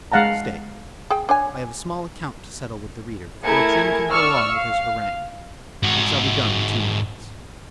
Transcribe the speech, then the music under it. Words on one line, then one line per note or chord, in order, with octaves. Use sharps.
Stay--I have a small account to settle with the reader before Trim can go on with his harangue.--It shall be done in two minutes.
G#3 F5 F#5 A5 A#5
G#4 G5
D4 C#5 G#5
A3 E4 G#4 A#4 G#6 C#7
D5 C#6 E6 F6
F5
G#2 F#4